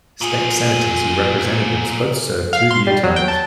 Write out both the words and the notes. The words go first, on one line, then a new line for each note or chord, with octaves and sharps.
State Senators and Representatives both serve two-year terms.
A#2 F4 G#4
F5
C6
G3
F#3
G5
A5